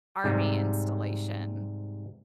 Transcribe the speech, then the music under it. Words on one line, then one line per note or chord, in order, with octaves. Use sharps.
Army installation.
G#2 C3 G3